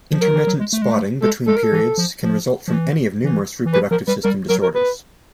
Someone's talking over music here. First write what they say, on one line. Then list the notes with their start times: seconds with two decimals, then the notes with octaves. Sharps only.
Intermittent spotting between periods can result from any of numerous reproductive system disorders.
0.12 F3
0.21 F#3 A#4
0.34 E3
0.47 F#3
0.59 G#3
0.73 A3
0.82 G#3
0.91 A3
1.22 G#3 A4
1.47 G#3 A4
1.56 A#4
1.64 A4
1.72 E3
1.98 F3
2.23 F3
2.68 F3
2.74 E3
3.24 E3
3.66 E3
3.74 F3 B4
3.91 F3 A#4
4.08 G3 B4
4.24 G3 A#4
4.49 F#3 A#4
4.63 A#4
4.75 B4